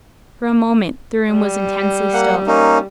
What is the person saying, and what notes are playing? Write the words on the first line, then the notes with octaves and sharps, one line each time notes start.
For a moment the room was intensely still.
G3
A#3 F#5
A#3 C#4 D#4